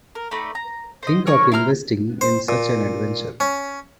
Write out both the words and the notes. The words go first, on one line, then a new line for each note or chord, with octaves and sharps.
Think of investing in such an adventure.
A#4
A3 D#4 D5 B5
A#5
C5 D#5
A#4 C#5 G#5 C#6
E4 C5 A#5 F6
C5
A#2
C#4